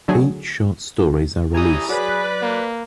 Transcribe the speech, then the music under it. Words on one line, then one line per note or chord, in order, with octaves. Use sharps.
Eight short stories are released.
D3 F#3 A3 G#4
E3 G3 G#5 A#5 D#6
F#3 G#4 B4 D5
A#3